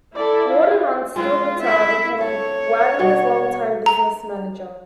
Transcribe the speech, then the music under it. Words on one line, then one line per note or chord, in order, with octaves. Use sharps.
Warden, on steel guitar, became Wagoner's long-time business manager.
E4 A4 D5
F4
G#3 C4 F4 B4
E4 E5
A4 C#5
B2 F#3 G3
A#5